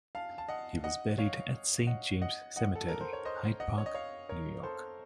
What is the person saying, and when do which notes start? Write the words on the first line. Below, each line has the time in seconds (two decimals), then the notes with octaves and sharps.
He was buried at Saint James Cemetery, Hyde Park, New York.
0.15 F5 A5
0.38 A5
0.49 D#5 F#5
0.84 D#5 F#5
1.18 C#5 F5
1.87 D#5 F#5
2.22 D#5 F#5
2.56 D#5 F#5
2.75 A4
2.88 A#4
3.01 C5
3.13 C#5
3.25 C5 D#5
3.60 D#5 F#5
3.78 C#5
3.86 D#5
3.94 C#5 F5
4.29 A#4 C#5
4.63 A4 C5